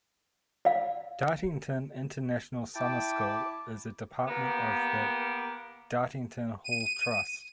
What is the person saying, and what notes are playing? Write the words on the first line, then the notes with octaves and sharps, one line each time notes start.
Dartington International Summer School is a department of The Dartington Hall Trust.
D5 F5
E4 G5 A5 D6
A#3 B3 G4
D#7